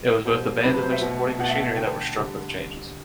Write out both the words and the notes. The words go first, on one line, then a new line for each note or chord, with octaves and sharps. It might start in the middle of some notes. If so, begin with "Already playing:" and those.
It was both the band and their supporting machinery that were struck with changes.
B2 G3 C5
C3 F#3 A3 B4
B4
C5
E5
B2
A3
B2 A3 F#5
E5
F#5
D3 A3 G5
D3 G3